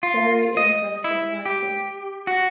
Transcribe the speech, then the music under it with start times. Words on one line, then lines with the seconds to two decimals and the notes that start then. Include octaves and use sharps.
Very interesting writer.
0.03 F4
0.57 D#5
1.04 E4
1.45 G4
2.27 F#4